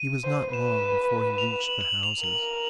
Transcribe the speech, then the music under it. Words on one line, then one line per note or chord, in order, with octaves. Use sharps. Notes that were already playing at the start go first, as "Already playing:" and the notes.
He was not long before he reached the houses.
Already playing: D#7
C5
B4 E7
F7
F#7
F#7
F7
A#4 F#7